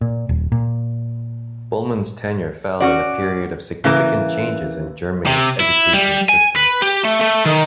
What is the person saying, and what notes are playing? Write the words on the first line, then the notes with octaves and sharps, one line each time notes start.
Bulmahn's tenure fell in a period of significant changes in Germany's education system.
A#2
D#1
A#2
C#4 F#4 D5
C#3 E3 A#3
C3
E4
G3
G#5
B4
G4
A3
A3
D#3